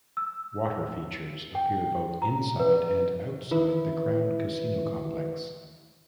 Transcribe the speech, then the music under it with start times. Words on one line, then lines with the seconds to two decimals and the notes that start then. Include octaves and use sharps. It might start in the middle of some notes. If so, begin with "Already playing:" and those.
Water features appear both inside and outside the Crown casino complex.
0.17 E6
1.55 G5
2.22 A#5
2.60 B4
3.51 D#3 E3 E4 B4 E5